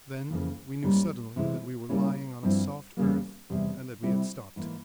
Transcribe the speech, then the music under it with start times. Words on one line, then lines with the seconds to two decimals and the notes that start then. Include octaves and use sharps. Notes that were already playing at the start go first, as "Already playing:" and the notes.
Then we knew suddenly that we were lying on a soft earth and that we had stopped.
0.30 F2 C#3 E3 A#3
0.83 G#2 G3 A#3 C#4 E4
1.36 C3 E3 G#3 E4
1.89 A#2 G3 A#3 C#4 E4
2.43 G2 F3 C4 E4
2.97 E2 C#3 G3 A#3
3.50 E2 C3 G3
4.03 C3 G3 C4 E4
4.56 G#2 E3 A#3 E4